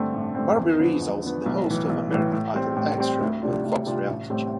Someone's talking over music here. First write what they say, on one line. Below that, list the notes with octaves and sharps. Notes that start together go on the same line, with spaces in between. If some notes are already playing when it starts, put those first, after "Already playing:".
Barberie is also the host of "American Idol Extra" on Fox Reality Channel.
Already playing: G2 D3 A3 C4
A1
G2 D3 A3 C4
E2
D3 F3 B3
E2
D3 F3 B3
B1
A2 E3
B1
A2 E3
A2
G3 C4
A2
G3 C4
D2
C3 G3 D4 F4
D2
C3 G3 D4 F4
A1
A2 G3 C4